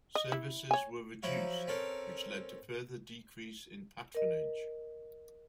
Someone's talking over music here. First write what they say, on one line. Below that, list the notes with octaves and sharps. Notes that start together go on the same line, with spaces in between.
Services were reduced, which led to further decrease in patronage.
D#5
E4
C#5 G#5
F3 F#3 E4 F#4
C4 C#4 A4 A#4
A#4 D#5